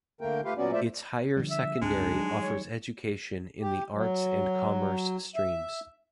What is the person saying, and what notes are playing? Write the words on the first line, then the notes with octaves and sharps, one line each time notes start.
Its higher secondary offers education in the Arts and Commerce streams.
D3 A3 A#3 A#4 G5
A3 F4 G4 B4 F5
A#2 F#3 B3 C#4 F#4 D5
A3 F4 C5 D5 E5
D3 F3 G3
E5
C#2 G#2 G#3 C4 D4
D#3 F#3 G3
C#5
G4
F#3
E5